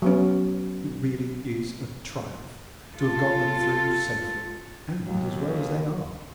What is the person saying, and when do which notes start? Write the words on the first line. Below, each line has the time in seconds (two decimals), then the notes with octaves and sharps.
It really is a triumph to have got them through safely and as well as they are.
0.02 F#3 B3 C#4
2.94 F4 A4
5.06 D#2 F#3